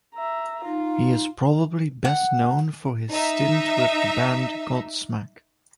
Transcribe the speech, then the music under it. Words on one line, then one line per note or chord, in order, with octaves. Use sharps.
He is probably best known for his stint with the band Godsmack.
E5 A#5
D#4 F4
F#5
D#4 E5